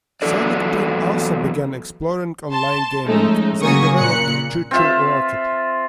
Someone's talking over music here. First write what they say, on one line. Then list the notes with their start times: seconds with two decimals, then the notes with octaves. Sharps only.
Sonic Team also began exploring online gaming; they developed ChuChu Rocket!
0.22 E2 F#3 A4 D5
2.49 A5 C6
3.05 F3 G#3 A3 C#4 D#4
3.61 C#3 F#3 A#3 G#5 C#6 D#6
3.97 A#2 C#3 F#6 C#7
4.71 C4 F4 E5